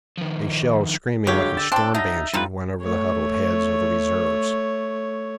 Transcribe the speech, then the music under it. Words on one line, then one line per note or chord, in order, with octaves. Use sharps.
A shell screaming like a storm banshee went over the huddled heads of the reserves.
D#3 F3
G2 D3 F#3 G#3 G4 C#5
E6 A6
C4 D4 A4 G5 A5 C6
F#3 D4 D#4 E5 A#6
G2 G3 D#4 F4 A4 B4
A3 C#5